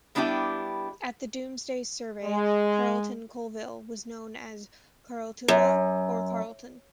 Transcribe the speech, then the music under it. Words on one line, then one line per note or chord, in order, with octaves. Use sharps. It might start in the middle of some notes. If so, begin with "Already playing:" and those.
At the Domesday survey Carlton Colville was known as Carletuna or Karletun.
G3 B3 D4 E4 G4
G#3
F#2